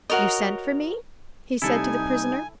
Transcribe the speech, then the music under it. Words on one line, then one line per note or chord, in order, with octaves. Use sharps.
"You sent for me?" he said to the prisoner.
F#4 A#4 C#5 D#5
C3 G3 D#4 E4 A4 G#5